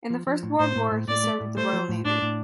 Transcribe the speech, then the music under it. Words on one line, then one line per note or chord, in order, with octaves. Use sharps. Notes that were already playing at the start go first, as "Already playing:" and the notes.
In the First World War he served with the Royal Navy.
F3
F3
A2
A2 C5
A2
A2
A2 D5
A3
A2
A3 C5
F3
A2
A2 D4
A2